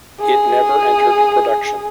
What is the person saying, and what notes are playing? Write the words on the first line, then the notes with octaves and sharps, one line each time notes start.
It never entered production.
G#4